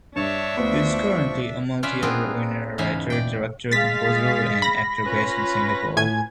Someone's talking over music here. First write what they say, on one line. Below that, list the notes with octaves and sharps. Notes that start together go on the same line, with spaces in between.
He is currently a multi-award-winning writer, director, composer and actor based in Singapore.
G2 D4 C#5 E5 A5 C#6
D2 F3 B3 C#6
C#4 F4 B4 D5 E5 F5
B3 C4 D4 F4 G#4 A#4
E2 G#2 C#3 E5 F5 G#5
D5 G5
G#3 G#4 F5 A6 B6
B5 A#6
C#4 F4 B4
A2 G#5 G#6